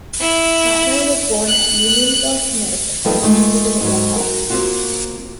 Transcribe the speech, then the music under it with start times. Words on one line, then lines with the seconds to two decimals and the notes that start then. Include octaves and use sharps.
Platner was born at Unionville, Connecticut, and educated at Yale College.
0.20 E4
1.47 F#6
3.05 D#3 F3 G3 A#3 A4 B4
3.22 G#3 A3 D#4 F4
3.81 G#2 F#3
4.16 F#4 A#4
4.50 A#3 C4 F4 F#4